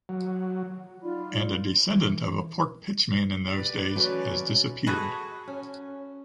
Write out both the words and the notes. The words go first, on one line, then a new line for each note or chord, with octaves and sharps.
And a descendant of a pork pitchman in those days has disappeared.
F#3
D#4 F4 D5 B5
C6
E3
G4 B4 D5
E3 F#3 A3 C#4 F#4
F#4 G#4 A4 B4
C#4